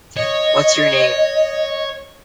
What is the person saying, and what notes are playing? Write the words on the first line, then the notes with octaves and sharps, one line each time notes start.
What's Your Name?
C#5 D#5